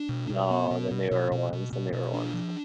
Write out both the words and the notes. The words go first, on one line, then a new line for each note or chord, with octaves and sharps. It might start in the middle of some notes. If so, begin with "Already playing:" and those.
No, the newer ones, the newer ones.
Already playing: D4
B2
B2
B3
B2
B2
B2
B2
B2
B2
B2
D4
F3